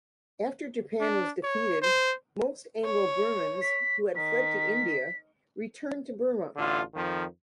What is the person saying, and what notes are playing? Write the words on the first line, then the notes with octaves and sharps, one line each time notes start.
After Japan was defeated, most Anglo-Burmans who had fled to India returned to Burma.
D4
C#5
C5
C#5
B6
D#3 B6
A1 D3 F4
F2 D#3 F3